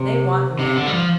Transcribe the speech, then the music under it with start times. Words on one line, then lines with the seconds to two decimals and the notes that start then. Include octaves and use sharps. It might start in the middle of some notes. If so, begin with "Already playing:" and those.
They want men.
Already playing: C3
0.59 C3
0.76 D3
0.87 G3
0.94 F3